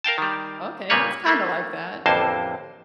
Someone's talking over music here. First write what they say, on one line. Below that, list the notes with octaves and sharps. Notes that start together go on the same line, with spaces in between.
Okay, it's kinda like that.
A#4 F5 G5 A5
D#3 G3
A#2 C#3 G3 A#3 B4 C#5
A3 A#3
A1 F2 D3 A#3 C5 A5